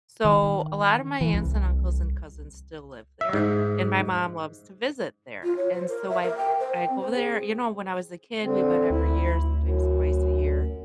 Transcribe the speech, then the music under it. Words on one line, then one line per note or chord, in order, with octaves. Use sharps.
so, a lot of my aunts, and uncles, and cousins still live there, and my mom loves to visit there, and so I I go there you know, when I was a kid, we went every year, sometimes twice a year,
D#3
E3
C2
E5
G#2
F4
C#5
C5
A#4
E5
A#4
G5
C5
G5
C4
C5
G#4
D3 C4
D2 E4
F#2